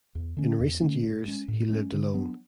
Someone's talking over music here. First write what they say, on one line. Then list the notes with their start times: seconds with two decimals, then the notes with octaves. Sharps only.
In recent years he lived alone.
0.15 E2
0.37 D3 A3 C#4
0.60 E2
0.81 D3 A3 C#4
1.03 A2
1.25 G#3 C#4
1.48 A2
1.69 G#3 C#4
1.92 D3
2.14 F#3 B3 D4